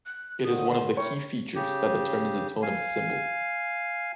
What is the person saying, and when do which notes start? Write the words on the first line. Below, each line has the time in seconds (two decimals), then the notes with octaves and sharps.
It is one of the key features that determines the tone of the cymbal.
0.06 F#6
0.44 D#2 D3 D#3 D#6
0.71 C6
0.97 E4 A#4 C#5 G5
1.55 C#3 G4
2.63 F5 G#5